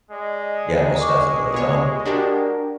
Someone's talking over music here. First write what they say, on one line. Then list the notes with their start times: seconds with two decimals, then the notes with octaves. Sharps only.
yeah, most definitely, um
0.11 G#3 D5 D#5
1.01 C#6 D6
1.54 F2 C3 B3 C#5
2.05 D4 F#4 G4 A#4 D5 G5